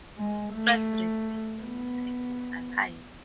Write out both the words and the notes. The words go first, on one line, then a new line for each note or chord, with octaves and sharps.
Mistress refused to be taken alive.
G#3
A3
B3